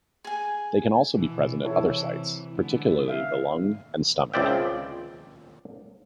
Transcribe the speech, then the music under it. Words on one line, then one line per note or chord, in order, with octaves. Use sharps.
They can also be present at other sites, particularly the lung and stomach.
G#4 G#5
B2 E3
C3 E3 E4 A4 C#5
D3 G#3 B3
E5 F5
C#2 F3 C4 D5 E5 G5